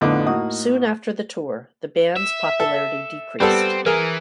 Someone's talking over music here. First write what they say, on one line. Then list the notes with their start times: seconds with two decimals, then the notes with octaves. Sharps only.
Soon after the tour, the band's popularity decreased.
0.01 F2 A2 D3 B3 D#4 D6
0.26 A2 A#3 D#4 F#4 D#6
2.17 E5
2.60 A4
3.40 G3 B3 C4 A4
3.86 E3 G#4 A#4